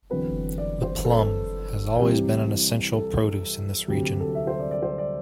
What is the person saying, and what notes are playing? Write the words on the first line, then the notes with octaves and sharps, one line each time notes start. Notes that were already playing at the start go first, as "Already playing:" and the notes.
The plum has always been an essential produce in this region.
E2 D3 F#3 C4 B4
D5
C5
A4
C2 C3 E3 G3 C4 G4
A4
D2 C3 F#3 G4
A4
E5
C5
D5
D5
C5
D5